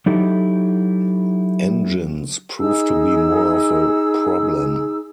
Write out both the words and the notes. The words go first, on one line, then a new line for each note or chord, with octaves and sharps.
Engines proved to be more of a problem.
F#3 D#4 E4 G4 A4
D#4 G#4 E6